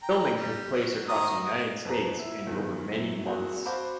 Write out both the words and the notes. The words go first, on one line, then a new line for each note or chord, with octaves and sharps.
Filming took place across the United States and over many months.
G5 A#5
G3
F#3
D#3 A#5 D#6
F#4
F2 B2 F3 B3 B4 A#5
E4
E2 G2 D#3
F#2 E3
A#3 C4 D4 F#4 G#4
F#4 C5 F5 A5 B5 D6